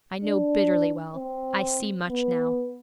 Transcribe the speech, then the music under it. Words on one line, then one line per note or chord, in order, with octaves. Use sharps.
I know bitterly well; I see much now.
D4
C4
B3